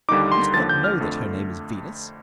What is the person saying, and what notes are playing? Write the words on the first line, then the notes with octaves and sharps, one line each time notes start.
We do not know that her name is Venus.
D#2 D3 G3 A#3 D#4 D6
C6
D#2 D3 F3 A6
G6
F6
F2 D3 A3